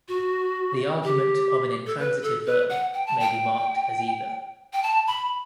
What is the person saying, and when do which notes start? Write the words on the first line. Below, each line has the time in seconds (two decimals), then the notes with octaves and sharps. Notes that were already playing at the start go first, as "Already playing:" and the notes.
The argument of an intransitive verb may be marked as either.
0.08 F#4
1.04 G4
1.86 A4
1.99 B4
2.22 A4
2.46 B4
2.70 F#5
2.94 G5
3.06 A5
3.20 G5
4.73 G5
4.83 A5
5.07 B5